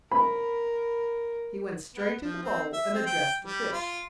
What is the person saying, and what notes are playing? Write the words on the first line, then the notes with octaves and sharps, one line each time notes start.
He went straight to the bowl and addressed the fish.
A#4 B5
B3
F3
C4
E5
C4
G5
G3
F4